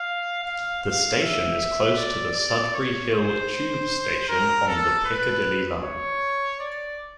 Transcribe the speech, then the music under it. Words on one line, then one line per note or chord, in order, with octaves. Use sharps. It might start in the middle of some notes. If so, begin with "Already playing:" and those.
The station is close to the Sudbury Hill tube station on the Piccadilly line.
Already playing: F5
F5
F5
E5
D5
D5
C#5
C5
A#4
A4
B4
C#5
D5